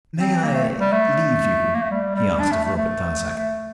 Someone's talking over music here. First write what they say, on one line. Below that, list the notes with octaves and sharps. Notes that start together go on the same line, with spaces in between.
"May I leave you?" he asked of Robert Darzac.
C4
A#3
A3
G3
A3
A#3
A3
G3
G3
D4
A3
A3
A3
A3